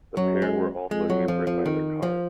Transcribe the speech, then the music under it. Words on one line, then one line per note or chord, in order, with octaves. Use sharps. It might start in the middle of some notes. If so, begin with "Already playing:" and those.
The pair were also hampered by their cars.
F#2 F#3
G#3
F2 G#3
F#3
F3
F3
D#3
F3